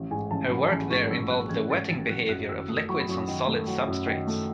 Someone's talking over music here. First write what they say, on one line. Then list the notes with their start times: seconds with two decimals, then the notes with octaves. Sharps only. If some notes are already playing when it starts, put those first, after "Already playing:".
Her work there involved the wetting behavior of liquids on solid substrates.
Already playing: A1
0.11 G#2 G#5
0.31 A1 A5
0.51 F#3 B5
0.70 A1 A5
0.90 G#2 C#6
1.11 A1 E6
1.30 F#3 F#6
1.49 A1 G#6
1.69 G#2 A6
1.89 A1 A6
2.09 F#3 F#6
2.29 F#2 F#6
2.49 D#3 E6
2.68 A3 D#6
2.89 F#3 C#6
3.00 B5
3.09 F#2 C#6
3.28 D#3
3.47 A3
3.67 F#3
3.87 F#2
4.07 D#3
4.27 A3